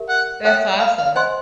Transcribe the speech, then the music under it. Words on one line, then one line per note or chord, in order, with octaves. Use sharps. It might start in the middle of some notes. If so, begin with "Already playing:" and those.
That's awesome.
Already playing: G4 A#4 E5
F#5
A4 C#5 E5 F#5 G5
F5
F5
C5 D#5 F#5 G#5 C6